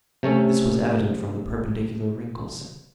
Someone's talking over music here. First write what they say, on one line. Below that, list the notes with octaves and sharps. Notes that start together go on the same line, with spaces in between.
This was evident from the perpendicular wrinkles.
C3 A3 C#4 A4